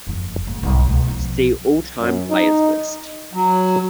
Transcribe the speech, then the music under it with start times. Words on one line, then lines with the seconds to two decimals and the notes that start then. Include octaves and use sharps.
See all-time players list.
0.07 F#1 F2
0.47 F#1 A2
0.63 B1 G#2
0.85 C#2 B2
1.08 B1 F3
2.01 F#2
2.30 D#4
3.33 F#3